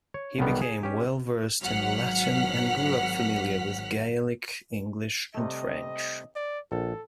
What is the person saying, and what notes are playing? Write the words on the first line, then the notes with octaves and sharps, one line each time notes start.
He became well-versed in Latin and grew up familiar with Gaelic, English and French.
C#5
B1 B2 D#3 G3 B3
G#4
C#4 G4
G#1 F#3 F#5 F6 B6
C3 G3 A3 D#5
D5
A#1 A4